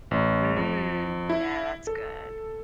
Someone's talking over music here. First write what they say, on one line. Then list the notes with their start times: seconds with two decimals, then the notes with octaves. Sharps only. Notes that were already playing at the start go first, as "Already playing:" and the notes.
Mm. Yeah, that's good.
0.11 A1
0.56 F2
1.30 E4
1.87 A4